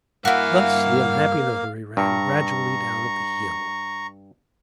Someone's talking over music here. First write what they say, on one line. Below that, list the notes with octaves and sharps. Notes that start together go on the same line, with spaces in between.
Thus the unhappy notary ran gradually down at the heel.
G2 A#3 E4 F#4 F5 G#5
G2 A#5 C#6